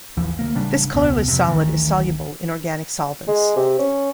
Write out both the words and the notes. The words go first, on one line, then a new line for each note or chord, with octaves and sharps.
This colorless solid is soluble in organic solvents.
A1 D#2 E3 F3
D2 F#3 A#3
A1 C#3 G3 D4
E1 C#2 B2
F2 C3
D1 A1 D#3 E3
G#3
C3
C#4